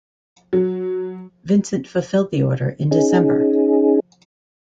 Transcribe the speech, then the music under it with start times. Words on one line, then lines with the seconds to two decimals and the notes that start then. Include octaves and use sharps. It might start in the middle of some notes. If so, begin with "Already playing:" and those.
Vincent fulfilled the order in December.
0.53 F#3
2.91 C#4 D#4 G#4